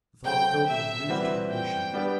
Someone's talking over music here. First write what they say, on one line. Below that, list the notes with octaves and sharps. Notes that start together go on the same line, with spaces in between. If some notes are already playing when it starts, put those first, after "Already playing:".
The thought filled them with new determination.
F#3 A3 C4 F#4 C5 G5
E5
E3 G3 C4 F#4 B4
G5
G3 B3 D4 G4 B4